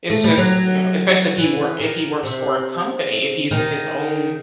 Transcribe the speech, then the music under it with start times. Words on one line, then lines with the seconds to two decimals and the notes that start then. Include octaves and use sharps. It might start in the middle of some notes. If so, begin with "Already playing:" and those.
It's just, you know, especially if he work if he works for a company, if he's his own
0.10 A3
0.24 G3
0.38 F#3
1.38 E3
1.80 D#3
2.23 C3
3.51 D#3